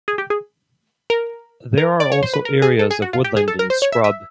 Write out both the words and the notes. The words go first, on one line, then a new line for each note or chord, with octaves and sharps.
There are also areas of woodland and scrub.
G#4
G4
G#4
A#4
A#4
D5
C#5
C5
B4
A#4
G#4
A4
G#4
F#4
F4
G4
G#4
A4
A#4
C5
C#5
E5
E5